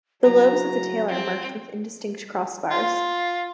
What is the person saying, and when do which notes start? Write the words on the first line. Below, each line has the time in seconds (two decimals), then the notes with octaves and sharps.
The lobes of the tail are marked with indistinct crossbars.
0.24 C#3 F#3 E4 F#4 A#5
1.08 F3 C4
2.71 F4